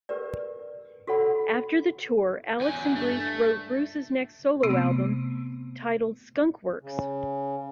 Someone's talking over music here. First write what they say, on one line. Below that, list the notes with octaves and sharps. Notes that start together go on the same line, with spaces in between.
After the tour, Alex and Bruce wrote Bruce's next solo album, titled Skunkworks.
G4 A#4 B4 D5
F#4 A4 C#5 F#5 B5
E2 F#3 G#5
G2 A3
C3 A3 B3 C4
C#3